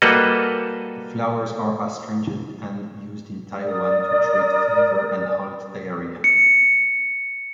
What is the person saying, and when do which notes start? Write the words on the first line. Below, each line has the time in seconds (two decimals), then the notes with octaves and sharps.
The flowers are astringent and used in Taiwan to treat fever and halt diarrhea.
0.02 G3 A#3 F#4 A4 B4 D#5
3.62 A#4 D5 D#6
6.24 C#7